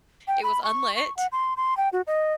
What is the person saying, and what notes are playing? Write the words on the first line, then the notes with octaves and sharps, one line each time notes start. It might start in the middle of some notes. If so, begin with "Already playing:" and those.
it was unlit,
G5
B5
C#6
C#6
F#5
C6
C6
G5
F#4
D#5